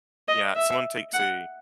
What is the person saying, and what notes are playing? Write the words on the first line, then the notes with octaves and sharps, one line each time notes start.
Yeah, someone takes a
D#5
E5
F#5